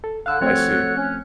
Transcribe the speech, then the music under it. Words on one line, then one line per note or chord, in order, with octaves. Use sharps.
I see.
A4
D3 F5 E6 F#6
F3 A3 C4 F#4 A4 C#5
C#4